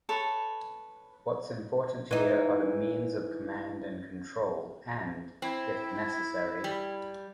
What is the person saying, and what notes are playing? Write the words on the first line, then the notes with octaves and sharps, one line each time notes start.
What's important here are the means of command and control and, if necessary...
A4 B4 C#5
E3 D#4
C4 E4
G3